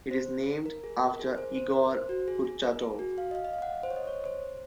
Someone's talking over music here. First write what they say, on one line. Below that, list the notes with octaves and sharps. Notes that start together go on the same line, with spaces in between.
It is named after Igor Kurchatov.
C5
A#4
G#4
A#4
G#4
C5
C5
A#4
C5
F#4
G#4
G#4
A#4
G#4
F#4
F5
D#5
F5
D#5
F5
F#5
C5
C#5
D#5
C#5
C5